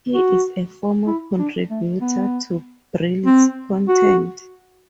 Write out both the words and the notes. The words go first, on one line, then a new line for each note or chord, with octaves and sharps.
He is a former contributor to "Brill's Content".
F#4
E4
D4
A3
B3
C4
F#4